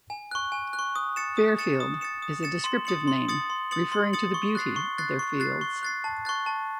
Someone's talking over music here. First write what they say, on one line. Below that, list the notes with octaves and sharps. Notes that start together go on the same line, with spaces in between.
Fairfield is a descriptive name referring to the beauty of their fields.
G#5
C#6 F#6
G#5
F#6
C#6
D#6
A6 C#7 E7
D#6
A6 C#7 E7
D#6
A6 C#7 E7
D#6
A6 C#7 E7
C6
D#6 A6 C#7 F#7
C6
D#6 A6 C#7 F#7
C6
D#6 A6 C#7 F#7
C6
D#6 A6 C#7 F#7
C#6
F#6 A6 C7
C#6
F#6 A6 C7
C#6
F#6 A6 C7
C#6
F#6 A6 C7
A5
C#6 F#6 A6
A5